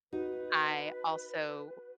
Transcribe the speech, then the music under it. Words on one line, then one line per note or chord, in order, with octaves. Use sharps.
I also
D#4 F#4 B4